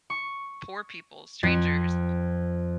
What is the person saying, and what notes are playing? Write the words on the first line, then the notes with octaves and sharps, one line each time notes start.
poor people, strangers,
C#6
F2